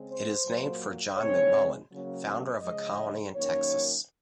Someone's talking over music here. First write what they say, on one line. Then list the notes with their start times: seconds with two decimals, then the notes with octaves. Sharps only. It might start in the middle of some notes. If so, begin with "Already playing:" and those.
It is named for John McMullen, founder of a colony in Texas.
Already playing: C#3 G#3 C4
0.09 C5
0.45 A#2 F#3 A#3
1.17 C#3 G#3 C4 C#5
1.90 C#3 F#3 A#3 C#4
2.62 C#3 F3 G#3 D#5
3.35 F#2 D#3 A#3 C#4 C#5